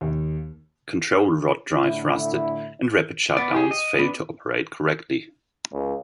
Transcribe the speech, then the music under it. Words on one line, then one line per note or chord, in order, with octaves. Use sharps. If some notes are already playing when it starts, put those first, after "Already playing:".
Control rod drives rusted, and rapid shutdowns failed to operate correctly.
D#2
A2 D3 E4
B3 D5
G4 G#4
D#5
B3 D4
C#2